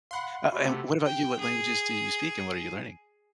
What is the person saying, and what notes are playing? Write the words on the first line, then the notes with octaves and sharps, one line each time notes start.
Uh, and what about you? What languages do you speak and what are you learning?
F5 F#5 B5 C6
C3 A3 F#4 G4 B5
G5
G#4